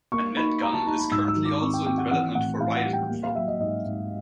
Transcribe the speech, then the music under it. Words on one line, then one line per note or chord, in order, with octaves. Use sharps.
A net gun is currently also in development for riot control.
A#3 C#6
D#4 B5
D#4 A#5
A5
D#4 A#5
B5
G#2 E6
E6
D#3
D6
C4 C#6
G5
C4 G5
F#5
E3 F#5
A2 F#5
A2 F5
F#5
G3
G5
A#3
F5
F#3 E5
D#5
G#2 D#5
G#2